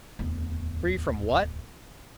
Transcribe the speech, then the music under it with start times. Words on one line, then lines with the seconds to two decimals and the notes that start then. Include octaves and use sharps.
Free from what?
0.19 D1 E2